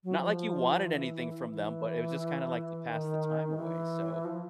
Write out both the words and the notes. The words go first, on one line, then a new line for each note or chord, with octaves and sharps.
Not like you wanted anything from them, but it was just kinda like to pass the time away, so
F#3
F3
E3
E3
D#3
E3
F3